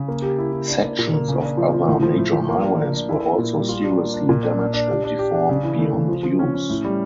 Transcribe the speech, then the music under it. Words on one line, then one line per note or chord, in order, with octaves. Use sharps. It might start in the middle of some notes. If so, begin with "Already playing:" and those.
Sections of other major highways were also seriously damaged and deformed beyond use.
Already playing: C#3
A#3
G4
E4
E4
D4
A#3
A#2
A#3
C#3
D4
F3
F3
A2
F3
A2
F3
A#3
D4
D4
D4
E4
A#3
A#2
G3
F4
D4
A#3
D4
A#2
D4
D4
D4
G4
D4
G4
D4
C#3
E3
A3
C#3
F3
F3
C#4
C#4
A2
G3